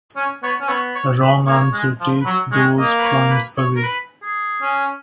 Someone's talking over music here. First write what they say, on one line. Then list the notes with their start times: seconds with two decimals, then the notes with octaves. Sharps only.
A wrong answer takes those points away.
0.16 C#4 C#5
0.43 B3 C#5
0.61 C#4
0.69 B3 C#5
0.95 C#5
1.21 B4
1.47 A#3 C#5
1.73 G#3
2.00 F3
2.22 B4
2.26 F#3 C#5
2.52 G#3 C#5
2.79 A#3 D#5
2.99 B4
3.04 C#5
3.30 B4
3.57 C#5
3.76 A#4
3.83 B4
4.23 G#4
4.62 C#4